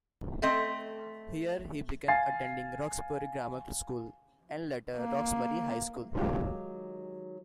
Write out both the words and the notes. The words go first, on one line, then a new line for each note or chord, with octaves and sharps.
Here he began attending Roxbury Grammar School and later Roxbury High School.
A3 C4 D#5
F5 G#5 A6 C7
A#3
D#3 F#3 G#3 F4 G4